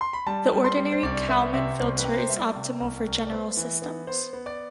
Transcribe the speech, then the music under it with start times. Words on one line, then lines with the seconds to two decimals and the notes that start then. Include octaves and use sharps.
The ordinary Kalman filter is optimal for general systems.
0.01 C6
0.13 B5
0.26 G3 A5
0.52 G3
0.64 C6
0.77 G3
0.92 C5
1.03 C2 D5
1.28 B3 E5
1.54 C3 E5
1.79 C2 C5
1.98 B4
2.04 C3
2.14 B4
2.18 C5
2.29 G3 E5
2.37 D5
2.55 C3
2.80 C2
3.07 C2
3.27 D5
3.32 B3 C5
3.57 E3
3.82 B3
4.07 B3 C5
4.33 B3
4.46 D5